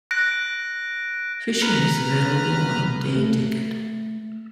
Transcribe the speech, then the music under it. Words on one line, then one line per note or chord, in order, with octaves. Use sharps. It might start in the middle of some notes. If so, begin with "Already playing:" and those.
Fishing is available on a day ticket.
F#6 A#6 D7
B4 A#5 F6
A3